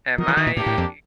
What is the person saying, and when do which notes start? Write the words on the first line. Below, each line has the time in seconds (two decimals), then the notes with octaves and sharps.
am I
0.17 F3 D#4 F#4 A#4 D#5
0.28 E3
0.37 D#3
0.47 A#2
0.56 A2 A#3 D4 G4
0.66 A2
0.78 F2